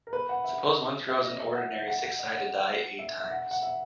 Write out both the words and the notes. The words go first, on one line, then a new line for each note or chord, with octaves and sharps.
Suppose one throws an ordinary six-sided die eight times.
A#4
B4
F#5
E5
E5
D#5
E5
F#5
E5
F#5
F#5
D#5
F#5
E5
E5
F#5
F#5
E5